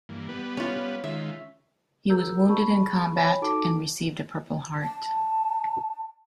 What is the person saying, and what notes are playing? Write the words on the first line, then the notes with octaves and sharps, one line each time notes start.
He was wounded in combat and received a Purple Heart.
G2 E3 A#3
G3 B3 B4
C#4 F4
D#3 G#3 F4 E5
F#4 G#4 A#4 A#5 E6 G6
G#4 A5 B5 C#6
C#5 G5 G#5 B5
D#4 F#4 A4 A5 D6 D7
A5